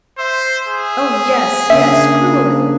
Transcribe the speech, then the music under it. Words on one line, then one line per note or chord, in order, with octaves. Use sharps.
"Oh, yes, yes, cruelly!"
C5 E5
G#4
C#3 A#3 D4 E5